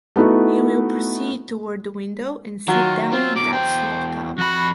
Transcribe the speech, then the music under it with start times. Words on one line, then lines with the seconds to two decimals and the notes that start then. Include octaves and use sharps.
You will proceed toward the window and sit down in that slop-tub.
0.16 A3 B3 D#4 E4 F#4
2.68 D#3 F#3 F4
3.12 C4 F4
3.36 E2 B2 D6
3.53 E2 C5 G5
4.38 F2 F#4 B5